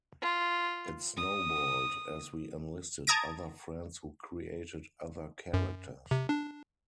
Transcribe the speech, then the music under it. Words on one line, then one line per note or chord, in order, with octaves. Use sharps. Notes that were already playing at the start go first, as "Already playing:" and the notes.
It snowballed as we enlisted other friends who created other characters.
F4
D#6
A5 A#5 D#6 G#6 A#6 D7
F#2
C3
D4